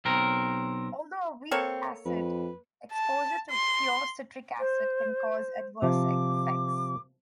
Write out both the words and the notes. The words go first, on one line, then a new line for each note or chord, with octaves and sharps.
Although a weak acid, exposure to pure citric acid can cause adverse effects.
B1 C4 A#4
A#3 C4 A4 C#5
F2 B4
A5
C6
C5
C3 F3 D6